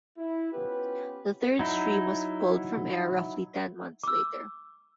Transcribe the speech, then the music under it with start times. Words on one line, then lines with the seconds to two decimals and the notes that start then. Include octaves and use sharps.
The third stream was pulled from air roughly ten months later.
0.18 E4
0.53 B3 C#4 F4 G4 B4
1.59 F#3 D#4 E4
4.03 D6 E6